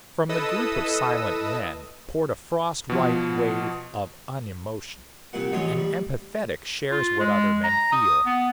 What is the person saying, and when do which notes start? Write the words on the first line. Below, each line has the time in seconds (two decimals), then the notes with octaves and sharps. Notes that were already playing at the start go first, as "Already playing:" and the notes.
From the group of silent men poured a frost-white wave of unemotion. An empathetic shares what other men feel.
0.29 E4 A4 B4 D#5 D#6 E6
2.89 B2 F3
5.33 C2 A#2 F#5
5.52 A1 F3 F#3 G#3 C#5 D#6
5.77 G3
6.91 F4
7.20 G#3
7.64 A#5
7.92 D#6
8.26 B3